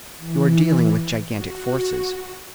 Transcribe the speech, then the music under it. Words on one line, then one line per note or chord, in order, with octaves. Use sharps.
You are dealing with gigantic forces.
E3
F#4